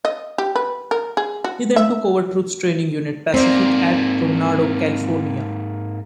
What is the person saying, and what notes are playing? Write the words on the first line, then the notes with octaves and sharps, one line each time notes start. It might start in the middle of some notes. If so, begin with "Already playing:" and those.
He then took over Troop Training Unit Pacific at Coronado, California.
D#5
G4
B4
A#4
G#4
F#4
E5
G#2 A#3 C4 D5